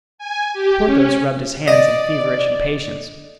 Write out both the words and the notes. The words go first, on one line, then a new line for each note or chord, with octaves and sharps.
Porthos rubbed his hands in feverish impatience.
G#5
G4
C#4
D5 D#5